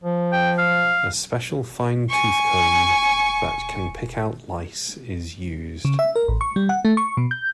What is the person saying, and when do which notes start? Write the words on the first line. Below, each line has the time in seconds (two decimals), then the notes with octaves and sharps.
A special fine tooth comb that can pick out lice is used.
0.04 F3
0.32 G5
0.58 F5
2.09 G#5 C#6
5.85 C#3
5.99 E5
6.16 A#4
6.28 A1
6.41 C#6
6.56 G3
6.69 F#5
6.85 A3
6.97 C#6
7.17 B2
7.31 G6